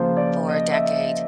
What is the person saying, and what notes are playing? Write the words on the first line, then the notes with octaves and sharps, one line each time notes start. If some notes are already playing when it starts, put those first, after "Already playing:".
for a decade.
Already playing: C#3 F3 A#3 C5
D5
D#5
E5